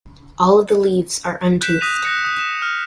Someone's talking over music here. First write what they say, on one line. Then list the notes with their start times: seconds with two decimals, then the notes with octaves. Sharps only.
All of the leaves are untoothed.
1.61 F#6 G6 B6 E7
1.81 D#6 F#6 A#6 B6 D#7 F7
2.05 F#6 A#6 C#7
2.25 D#6
2.39 E7
2.62 F6